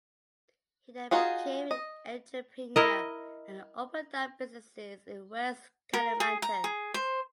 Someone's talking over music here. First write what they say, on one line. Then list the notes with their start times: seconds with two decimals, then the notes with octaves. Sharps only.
He then became an entrepreneur and opened up businesses in West Kalimantan.
1.11 D#4 F4 F#4 G#4
1.71 D#5
2.76 E4 A#4 D#5
5.94 A#4
6.20 G#4
6.42 A#5
6.64 G#4
6.94 C5